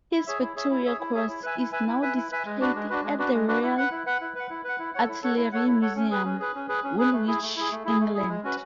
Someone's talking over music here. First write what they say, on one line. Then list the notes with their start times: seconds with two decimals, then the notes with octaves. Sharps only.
His Victoria Cross is now displayed at the Royal Artillery Museum, Woolwich, England.
0.12 E4
0.27 G#4 C#5 E5
0.41 E4
0.56 G#4 C#5 E5
0.70 E4
0.85 G#4 C#5 E5
1.00 E4
1.14 G#4 C#5 E5
1.28 E4
1.43 B4 E5 G#5
1.58 E4
1.72 B4 E5 G#5
1.87 E4
2.02 B4 E5 G#5
2.16 E4
2.31 B4 E5 G#5
2.46 G#3
2.61 D4 F#4 B4
2.75 G#3
2.89 D4 F#4 B4
3.04 G#3
3.18 D4 F#4 B4
3.33 G#3
3.48 D4 F#4 B4
3.63 E4
3.77 B4 F#5
3.91 E4
4.06 B4 F#5
4.21 E4
4.35 B4 F#5
4.50 E4
4.64 B4 F#5
4.79 E4
4.94 A4 C#5 F#5
5.08 E4
5.22 A4 C#5 F#5
5.37 E4
5.52 A4 C#5 F#5
5.67 E4
5.81 A4 C#5 F#5
5.96 C#4
6.11 G#4 B4
6.25 C#4
6.40 G#4 B4
6.55 C#4
6.69 G#4 B4
6.84 C#4
6.98 G#4 B4
7.13 A3
7.27 E4 G#4
7.42 A3
7.56 E4 G#4
7.71 A3
7.85 E4 G#4
8.00 A3
8.15 E4 G#4
8.29 G#3
8.44 C#4 F#4 B4